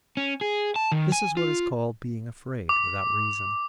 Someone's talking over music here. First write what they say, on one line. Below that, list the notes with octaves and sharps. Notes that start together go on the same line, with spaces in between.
This is what is called being afraid without reason.
C#4
G#4
A5
D#3
G#5
F4
D6